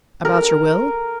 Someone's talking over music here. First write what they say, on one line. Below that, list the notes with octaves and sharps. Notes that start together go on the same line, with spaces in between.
"About your will?"
A#4